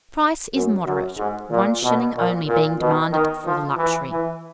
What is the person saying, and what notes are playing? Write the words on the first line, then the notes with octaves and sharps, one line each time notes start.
The price is moderate, one shilling only being demanded for the luxury.
F#2
F#2
G#2
A#2
B2
A#2
A#2
B2
D#3
F3
E3
E3